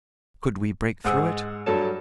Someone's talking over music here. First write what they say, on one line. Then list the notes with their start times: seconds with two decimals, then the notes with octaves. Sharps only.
Could we break through it?
1.04 G#2 G#4 C5 F#5 D#6 E6
1.66 G2 F#3 D4 A4 C#5 A5